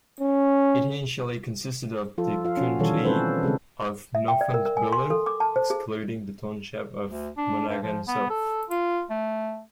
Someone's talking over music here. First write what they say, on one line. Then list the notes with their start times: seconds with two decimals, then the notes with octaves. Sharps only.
It initially consisted of the county of Northumberland, excluding the township of Monaghan South.
0.20 C#4
2.18 F3 F4 A4
2.45 F4 F5
2.57 C#4 F#4
2.79 B2 D#3 E3 G3 A4 C#5
3.04 C4 C#4 A4 B4 C5
3.43 C#3 G#3 C4 A4
4.15 E5
4.28 G5
4.41 D5
4.54 A#4
4.65 A#4
4.77 G#5
4.92 C6
5.10 A4
5.26 D6
5.40 A5
5.56 C5
5.70 G#4
7.08 D2
7.37 D4
7.69 G2
7.83 F3
8.08 B3
8.30 A4
8.70 F4
9.10 A3